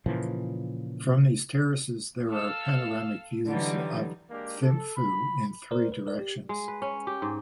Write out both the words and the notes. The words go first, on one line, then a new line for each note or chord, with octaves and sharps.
From these terraces there are panoramic views of Thimphu in three directions.
A#2 C#3 E3 F3
A4 F5 E6 F6
D3 E3 F#3 G3 D#4
G#3 A#3 D4 G4 A#4
A4
B5
A#4 C5 D5
B4
A#4 D5
G4
G#3
B4
C#4
G4
G#2